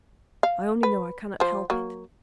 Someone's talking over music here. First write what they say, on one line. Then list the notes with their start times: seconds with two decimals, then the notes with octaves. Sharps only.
I only know I cannot help it.
0.43 F5
0.83 B4
1.40 F3 C5
1.70 F#3 A#3